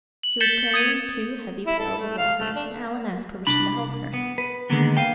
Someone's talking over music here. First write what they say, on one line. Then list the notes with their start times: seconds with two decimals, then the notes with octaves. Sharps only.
She was carrying two heavy pails of water and Alan asked permission to help her.
0.23 F#7
0.40 G6 A6 B6 C#7 E7 G7
0.74 D#6 G#6 D#7
1.67 E4
1.79 A4
1.98 A3
2.18 F5
2.40 A3
2.55 D4
3.47 C2 D4 B5
4.14 B3
4.38 B4
4.70 D3 D#3 G#3 A#3 B3
4.97 B4 F5 G5